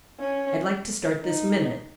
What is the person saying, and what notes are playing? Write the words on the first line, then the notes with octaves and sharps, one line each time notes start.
I'd like to start this minute.
C#4
D#4